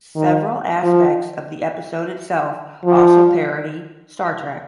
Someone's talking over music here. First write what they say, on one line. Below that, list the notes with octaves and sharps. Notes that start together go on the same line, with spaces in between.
Several aspects of the episode itself also parody "Star Trek".
D#3
F3
F3